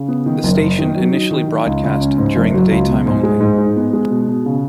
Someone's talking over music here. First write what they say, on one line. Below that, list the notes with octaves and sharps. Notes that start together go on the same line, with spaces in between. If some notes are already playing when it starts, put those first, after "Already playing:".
The station initially broadcast during the daytime only.
Already playing: C#3
B3
D#3
F#1
F#2
D#3
F#3
D#4
D#3
D#3
C#2
C#2
C#4
G#2
F#1
F#3
C#2
B2
G#2
G#3
G#2
D#4
B3
G#3
B2
B2
C#3